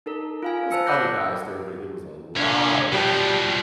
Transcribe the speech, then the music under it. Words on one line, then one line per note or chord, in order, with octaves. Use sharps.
it was other guys there, but it was a lot of women there,
D#4 A4 A#4
F4 F5 G#5
C5 A5 E6 C#7
F#5 B5 D6 F#6 G6 A#6
C2 C#4 D4
B2 F3 G3